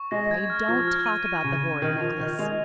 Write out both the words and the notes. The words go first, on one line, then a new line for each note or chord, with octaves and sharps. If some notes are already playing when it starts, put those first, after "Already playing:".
"Pray don't talk about the horrid necklace."
Already playing: C#6
G#3 A#6
G#6
F6
F3 G#6
F6
D#7
D#7
C#3 D#7
G#6
D#3 F6
F3 F7
D#3 F6
G#3 F7